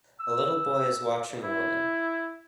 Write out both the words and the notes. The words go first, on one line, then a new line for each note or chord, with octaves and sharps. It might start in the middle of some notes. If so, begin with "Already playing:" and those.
A little boy is watching a woman.
E6
E4